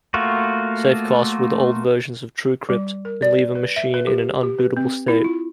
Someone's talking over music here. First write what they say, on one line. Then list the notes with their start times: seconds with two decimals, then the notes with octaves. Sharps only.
SafeCast with old versions of TrueCrypt can leave a machine in an unbootable state.
0.14 A3 A#3 F4 F#4
2.69 G3
3.05 A#4
3.22 D5
3.55 B4
3.76 E5
3.94 B4
4.07 G4
4.43 G4
4.59 B4
4.77 C4
5.08 E4
5.24 F4